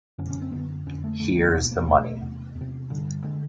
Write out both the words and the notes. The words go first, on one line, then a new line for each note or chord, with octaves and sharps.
Here's the money.
F#2 D3 C#4
C#4
C4
F#2 D3 B3
F2 D3 C#4
A3
F2 D3 A3
A#3
E2 B2 B3
A#3
E2 B2 A3
E2 C3
E2
C3
G2 D3
D3 G#3